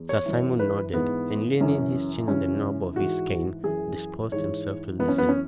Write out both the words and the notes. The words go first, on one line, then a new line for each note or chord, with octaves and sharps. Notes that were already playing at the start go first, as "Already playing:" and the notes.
Sir Simon nodded, and, leaning his chin on the knob of his cane, disposed himself to listen.
Already playing: E2
C#5
F#2 E3
B4
G#2 E3 B3
F#2 C#3 E3 C#4
F#2 C#3 E3 C#4
G#2 E3 F#4
F#2 E3 G#4
G#2 E3 C#5
F#2 E3 B3
C#4
B3
C#4